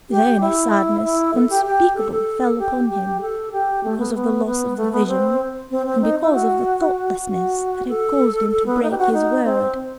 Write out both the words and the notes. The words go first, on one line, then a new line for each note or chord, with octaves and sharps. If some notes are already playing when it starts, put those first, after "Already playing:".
Then a sadness unspeakable fell upon him, because of the loss of the vision, and because of the thoughtlessness that had caused him to break his word.
G4
E4
E4
A4
G4
G4
A4
A4
G4
G4
A4
G4
A3
B3
B3
B3
A3
B3
C4
C4
C4
D#4
E4
F#4
F#4
A4
A4
B3
D#4
G4
F#4
D#4
C4